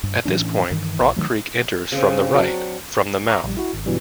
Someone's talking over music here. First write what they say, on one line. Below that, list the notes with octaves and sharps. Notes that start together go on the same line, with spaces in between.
At this point, Rock Creek enters from the right from the mouth.
G2
A2 E3 C#4 D4
G2 D#3 E3
A#1
D#3 E3 F#3 A3
C#3 C4
F#3 D4
A#5 C#6 D6 E6
A#1 G3
E4 F#4
G#1
G2 B2 E3 F#3 G3